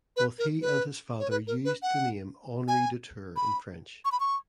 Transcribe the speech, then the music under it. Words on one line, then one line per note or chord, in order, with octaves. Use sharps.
Both he and his father used the name "Henri du Tour" in French.
B4
A#4
B4
C#5
B4
A#4
B4
F#5
G#5
B5
C#6
B5
C#6